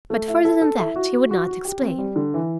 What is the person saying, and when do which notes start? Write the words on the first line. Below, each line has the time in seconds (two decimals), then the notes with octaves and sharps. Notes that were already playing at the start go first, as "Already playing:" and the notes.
But further than that he would not explain.
0.10 A3
0.28 E4
0.45 A4
0.61 A4
0.79 E4
0.96 F#4
1.13 F#4
1.31 F#4
1.48 F#4
1.65 G4
1.81 C4
1.98 G3
2.16 D3
2.34 E3